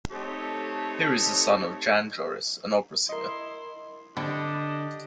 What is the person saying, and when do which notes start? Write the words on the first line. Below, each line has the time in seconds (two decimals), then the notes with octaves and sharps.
He is the son of Jan Joris, an opera singer.
0.11 A3 C4 D#4 G4 A4 C#5
3.09 E4 A#4 D#5 C6
4.17 D3 G3 C4 D4 E4 G4 D#5